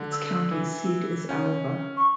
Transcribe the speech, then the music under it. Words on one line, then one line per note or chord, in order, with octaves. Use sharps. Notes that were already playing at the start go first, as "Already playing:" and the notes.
Its county seat is Alva.
Already playing: D3
E6
E6
E3
C#4
C#6